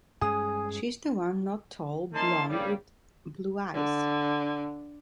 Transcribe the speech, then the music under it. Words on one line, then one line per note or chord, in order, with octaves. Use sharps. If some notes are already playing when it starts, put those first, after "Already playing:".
She is the one not tall, blond with blue eyes.
G2 G#3 C#4 G#4 G#5 D#6
A#3 C#4 D#4 E4 A5 C6
G2 A#2 C#3 G3
D3